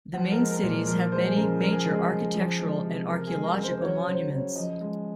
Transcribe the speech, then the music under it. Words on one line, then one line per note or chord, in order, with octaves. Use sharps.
The main cities have many major architectural and archeological monuments.
F3 F#5
A#4
G#3
A#4
A#2
A#4
F3 A#4
G#3 C5
G#4
C#3 A#4
F3 A#4
G#4
G#3
G#4
C#3
F3
G#3
C3
F3 A#4
G#4
G#3
A#4
C#3
C5
C5
F#3 C#5
C#3 C5
C#3 C#5
F3 D#5
G#3